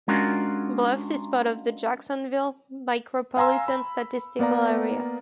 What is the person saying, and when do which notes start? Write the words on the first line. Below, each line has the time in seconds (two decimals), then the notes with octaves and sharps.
Bluffs is part of the Jacksonville Micropolitan Statistical Area.
0.08 G#3 C#4 D4 F4 F#4 A#4
3.37 F5 G#5 A#5 C6 E6
3.68 B5
4.39 A#3 B3 D5 F5 A#5